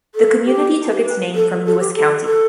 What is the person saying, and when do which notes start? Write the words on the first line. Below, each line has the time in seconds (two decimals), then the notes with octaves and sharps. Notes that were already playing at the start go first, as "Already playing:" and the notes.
The community took its name from Lewis County.
0.15 A4
0.45 G4
0.90 G4
1.05 B4
1.35 A4
1.65 A4
1.80 G4
1.95 A4
2.25 A4